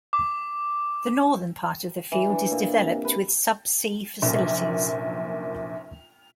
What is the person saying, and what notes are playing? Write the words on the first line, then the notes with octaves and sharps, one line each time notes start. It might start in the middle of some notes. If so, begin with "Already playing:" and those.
The northern part of the field is developed with subsea facilities.
D6
E3
D4
A#2
C3
B4
F1 A#1 F#2 A#2